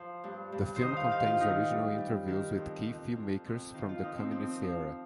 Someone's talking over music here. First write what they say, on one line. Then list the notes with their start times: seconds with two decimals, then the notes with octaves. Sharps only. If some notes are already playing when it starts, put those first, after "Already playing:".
The film contains original interviews with key filmmakers from the communist era.
Already playing: F3 C5
0.24 G2
0.52 G2
0.76 C5
0.81 D#3 D#5
0.96 F5
1.11 D#3 F5
1.26 F4
1.40 D#3 D#4
1.70 G3
1.98 G3
2.28 D#3
2.57 F2
2.86 F2
3.15 F2
3.45 F2
3.74 D#3 F4
3.89 F4
4.03 F2 D#4
4.18 C4
4.32 F3 C4
4.61 F3